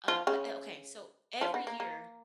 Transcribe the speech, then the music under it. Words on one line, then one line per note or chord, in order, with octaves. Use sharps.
uh, but o okay, so, every year,
F3 F4
C#3 C#4
F3 F4
B3
A#3
A#3